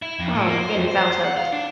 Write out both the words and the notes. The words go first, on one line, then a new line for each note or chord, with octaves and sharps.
oh my goodness, I was hooked.
E4
F2
A2
A#3
C5
F2
C5
F#5
F5
D4